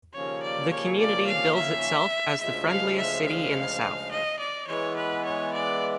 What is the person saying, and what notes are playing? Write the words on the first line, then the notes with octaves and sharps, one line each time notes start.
The community bills itself as "The Friendliest City in the South".
D#2 C#3 F3 A#3 C#4 C#5
D5
C#5
D5
F5
E5
D2 C#3 F3 G#3 E5
F5
E5
F5
D#5
D5
E3 G#3 B3 C#5
B4
C#5
D5